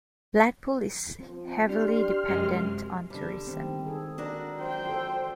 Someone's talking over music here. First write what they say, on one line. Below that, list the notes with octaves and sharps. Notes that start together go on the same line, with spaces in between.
Blackpool is heavily dependent on tourism.
F3 C4
D4 G4 C6 F6
F#2 C3 G#3
D3 G3
D#3 C4
G#4 A4
D4 F#4 A#4
C5 G5
A4